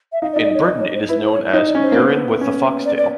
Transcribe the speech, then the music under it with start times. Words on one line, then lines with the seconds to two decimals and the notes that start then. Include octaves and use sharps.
In Britain it is known as "Gurin with the Foxtail".
0.12 E5
0.22 D#4 F5
0.33 D5
0.36 D#4
0.44 D5
0.50 D#4 C#5
0.65 D#4 D5
0.80 C#5
0.95 C5
1.09 E4 B4
1.26 C5
1.32 C#5
1.53 D#4 C#5
1.68 D5
1.75 C#4
1.83 C5
1.92 A#3
1.97 B3
2.41 C#4
2.85 D5
2.98 D5